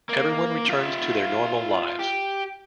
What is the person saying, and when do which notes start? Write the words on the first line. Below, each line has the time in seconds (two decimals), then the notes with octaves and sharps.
Everyone returns to their normal lives.
0.09 A#3
0.69 F4 E5
1.99 G4